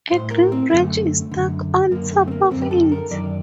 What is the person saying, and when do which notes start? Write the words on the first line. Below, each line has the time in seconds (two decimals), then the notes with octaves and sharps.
A green branch is stuck on top of it.
0.11 A2 C5
0.31 A#4
0.52 C4
0.71 F#2 D3 A3
1.32 F#2 D3
1.91 F#2 D3 A#3
2.11 A3
2.28 C4
2.31 A#3
2.51 F#2 D3 C4
2.62 G4
2.71 A4
2.92 A#4
3.11 F#2 D#3 D5